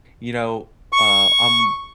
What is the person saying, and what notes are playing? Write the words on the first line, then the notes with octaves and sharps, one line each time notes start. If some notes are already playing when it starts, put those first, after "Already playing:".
You know, uh, I'm
C#6